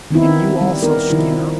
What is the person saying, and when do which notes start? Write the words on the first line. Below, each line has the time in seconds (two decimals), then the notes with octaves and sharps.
And you, also, Skinner?
0.11 D#3 B3 C4 D#4 E4
0.61 G3
0.82 B3 D#4 A#4
1.10 D#3 F3 D#4 E4